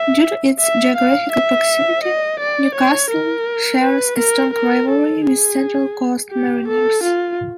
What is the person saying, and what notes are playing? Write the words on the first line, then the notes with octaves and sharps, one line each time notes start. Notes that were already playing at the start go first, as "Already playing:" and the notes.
Due to its geographical proximity, Newcastle shares a strong rivalry with Central Coast Mariners.
Already playing: E5
E5
F5
E5
D#5
D5
C#5
A#4
B4
A#4
A#4
A4
G#4
G4
A4
F4